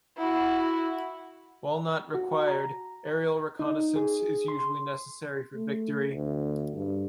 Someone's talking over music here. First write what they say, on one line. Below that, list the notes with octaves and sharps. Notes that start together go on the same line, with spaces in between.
While not required, aerial reconnaissance is usually necessary for victory.
E4 F#4
F#4
A#5
D#4
G#4
C6
A3
D2
G2